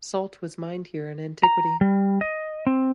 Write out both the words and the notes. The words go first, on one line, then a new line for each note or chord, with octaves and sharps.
Salt was mined here in antiquity.
A#5
G3
D#5
C4